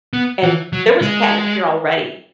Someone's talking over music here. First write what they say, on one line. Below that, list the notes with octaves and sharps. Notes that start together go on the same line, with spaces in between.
and there was catnip here already
B3
E3
F#3
G#3